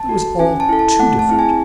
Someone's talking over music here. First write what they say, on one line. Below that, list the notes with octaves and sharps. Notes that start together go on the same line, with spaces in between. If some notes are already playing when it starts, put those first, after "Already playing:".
It was all too different.
Already playing: A5
F#4 A4
C#4 G#5
A5
E4 A4
A5
A3 F#5
A5
C4 E4 G#4
G#5